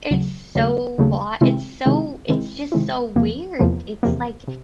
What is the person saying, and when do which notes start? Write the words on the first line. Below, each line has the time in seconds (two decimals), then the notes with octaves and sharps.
it's so lot it's so it's just so weird. It's, like
0.10 D#2 C#3 F#3 A3
0.55 D#2 C#3 F#3 A3
0.98 D#2 C#3 F#3 A3
1.41 C3 D#3 G#3 C4 E4
1.86 C3 D#3 G#3 C4 E4
2.29 C3 D#3 G#3 C4 E4
2.72 C3 D#3 G#3 C4 E4
3.16 E2 C3 F3 A#3
3.59 E2 C3 F3 A#3
4.03 E2 C3 F3 A#3
4.48 C3